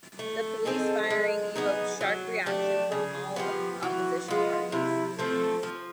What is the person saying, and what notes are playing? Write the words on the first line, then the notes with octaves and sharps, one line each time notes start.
The police firing evoked sharp reaction from all opposition parties.
A3 A4
C4 D#4 G#4
G#3
B3 D#4 G#4
F#3
A3 D4 G4
C#3 G#4
F3 G#3 B3 G4
E3 F#4
G#3 B3 F4
C3 E4
F3 A3 C4 A4
F3